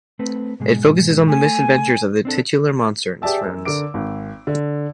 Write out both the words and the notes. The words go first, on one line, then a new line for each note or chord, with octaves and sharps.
It focuses on the misadventures of the titular monster and his friends.
A3 C4 B4
G#2 B2 G#3
A3 G#5
C4 D4 A4
G4 G#4 D5 E5 A5 E6
F#2
D3 A#4 D6 D7
G#1
D3